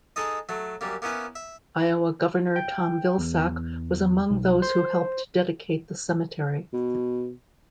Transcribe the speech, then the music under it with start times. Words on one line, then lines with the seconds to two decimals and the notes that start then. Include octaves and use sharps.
Iowa Governor Tom Vilsack was among those who helped dedicate the cemetery.
0.16 G#3 D#4 A4 D#5
0.49 F#3 A3
0.81 F#2 G3 A#3
1.02 A#3 B3 C#4 E4 B4
1.35 E5
2.56 G5
3.18 E2
4.30 B1
4.62 C5
6.73 B2